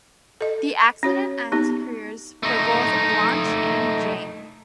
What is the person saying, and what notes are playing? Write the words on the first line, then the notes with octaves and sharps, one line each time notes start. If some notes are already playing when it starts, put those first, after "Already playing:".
The accident ends careers for both Blanche and Jane.
A4 D#5
C#4 F#4 C#5
B3 D#4 G4
A3 D#4